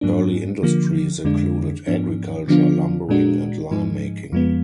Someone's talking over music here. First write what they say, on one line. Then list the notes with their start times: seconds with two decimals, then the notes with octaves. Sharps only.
Early industries included agriculture, lumbering, and lime making.
0.01 G#2 F#3 A#3 D4
0.63 D3 F3 A#3
1.24 F2 D3 G#3 D4
1.87 G#2 F3 B3 D4
2.48 D3 F3 B3 D4 F4
3.09 A#2 G#3 D4 F#4
3.71 G#2 F3 G#3 D#4
4.32 F2 F3 G#3 B3